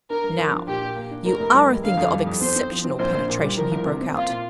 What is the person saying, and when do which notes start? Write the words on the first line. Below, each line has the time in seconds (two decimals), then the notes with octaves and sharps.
'Now, you are a thinker of exceptional penetration,' he broke out.
0.10 D4 A#4
0.24 G2
0.38 F3
0.53 D4
0.68 A#2 G4
0.81 A#2
0.96 A#3
1.11 D4
1.26 F1 A#4
1.40 F1
1.54 G3
1.69 F1
1.83 D3 F5
1.97 F2
2.12 G3
2.27 F2
2.41 C4 C5
2.56 C4
2.71 F3
2.84 C4
2.99 A#1 C5
3.13 A#1
3.29 A#2
3.43 G3
3.57 F3 A#4
3.72 C2
3.86 C3
4.01 C4
4.15 A#3 F4
4.29 A#2